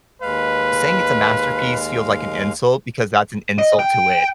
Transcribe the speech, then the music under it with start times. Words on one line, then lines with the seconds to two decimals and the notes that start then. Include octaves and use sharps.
saying it's a masterpiece feels like an insult because that's an insult to it.
0.22 D#2 G#3 B4 F5
3.59 D#5
3.79 G5